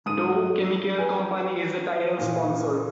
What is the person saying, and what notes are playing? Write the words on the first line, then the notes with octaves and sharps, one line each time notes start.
Dow Chemical Company is the title sponsor.
G#2 D#6 D#7
F#3
B4 G#5
A#2 E3